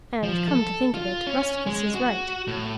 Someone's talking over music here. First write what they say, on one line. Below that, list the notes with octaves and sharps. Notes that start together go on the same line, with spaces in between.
And come to think of it Rusticus is right.
F3
A4
F4
C#4
G#3
F#4
A2